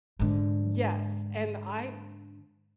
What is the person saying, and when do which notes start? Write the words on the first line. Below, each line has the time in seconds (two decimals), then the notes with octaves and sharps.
Yes, and I
0.19 G#2 D3